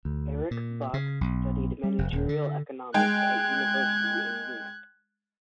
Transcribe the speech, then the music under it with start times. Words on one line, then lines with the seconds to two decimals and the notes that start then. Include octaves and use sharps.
Erich Buck studied managerial economics at university in Munich.
0.05 D2
0.51 A#2
0.94 C#3
1.21 B1
1.84 G3
1.98 F#1
2.12 D#1
2.29 D3
2.94 G#3 G5 F#6 G#6